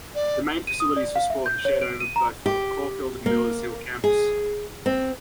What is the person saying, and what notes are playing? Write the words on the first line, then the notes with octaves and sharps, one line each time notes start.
The main facilities for sport are shared over both Caulfield and Wheelers Hill campus.
D5
D#7
D#6
D5
F5
E5
G6
C#5
D7
D#7
A#5
G4
A#3
G#4
C4